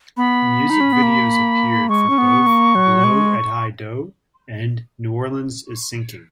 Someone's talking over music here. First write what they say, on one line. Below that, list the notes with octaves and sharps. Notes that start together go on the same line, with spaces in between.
Music videos appeared for both "Blow at High Dough" and "New Orleans is Sinking".
B3 B5
D#4
C#4
B3
A#3
G#3 C#6
C#4
B3
A#3
F#3
G#3